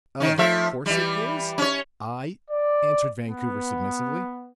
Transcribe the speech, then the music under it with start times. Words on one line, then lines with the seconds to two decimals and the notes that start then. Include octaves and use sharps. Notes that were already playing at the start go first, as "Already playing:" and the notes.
"Of course it is I," answered Vancouver, submissively.
0.20 D#3 C#4
0.38 F3 A3 E5
0.86 E3 G3
1.58 C#4 C#5
2.51 D5
3.28 B3